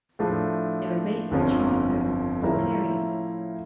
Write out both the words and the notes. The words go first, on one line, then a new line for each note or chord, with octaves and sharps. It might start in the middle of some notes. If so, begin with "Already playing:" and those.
They were based in Toronto, Ontario.
A2 F3 A3 D4
G1 F2 D3 F3 C#4
A2 F3 C#4 E4 A#4